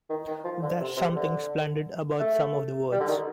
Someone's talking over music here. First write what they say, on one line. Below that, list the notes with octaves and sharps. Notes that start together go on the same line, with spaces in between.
There’s something splendid about some of the words.
D#3
D#3
F3
D3
C3
C3
D3
A3
G3
D3
D#3